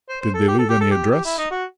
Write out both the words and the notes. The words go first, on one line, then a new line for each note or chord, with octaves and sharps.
"Did they leave any address?"
C5
C5
A4
G4
A4
G4
A4
G4
G4
E4
D#4
F#4